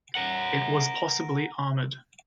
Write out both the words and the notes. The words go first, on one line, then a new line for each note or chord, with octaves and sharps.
It was possibly armoured.
A#4 F#5